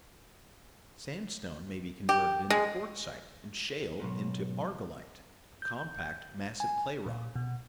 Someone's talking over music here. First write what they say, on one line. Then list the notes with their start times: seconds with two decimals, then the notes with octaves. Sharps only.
Sandstone may be converted into quartzite, and shale into ARGILLITE, a compact, massive clay rock.
2.09 G4
2.50 G#3
4.00 B1 F2 G#2
5.62 G6
6.60 G#5
7.06 A#2
7.36 B2